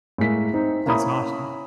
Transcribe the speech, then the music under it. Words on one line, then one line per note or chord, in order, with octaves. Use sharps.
That's awesome.
A2 G#3 A#3 B6
C4 D#4
A#3 C#4 E4 A#5 B5 D#6